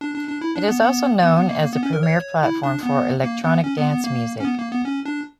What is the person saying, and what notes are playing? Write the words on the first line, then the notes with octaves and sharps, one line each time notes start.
It is also known as the premiere platform for electronic dance music.
D4
D4
D4
E4
D4
B3
B3
B3
B3
A#3
A#3
B3
C#4
A#4
C#5
E4
D4
B3
A#3
B3
C#4
B3
B3
A#3
C#4
B3
A#3
B3
C#4
D4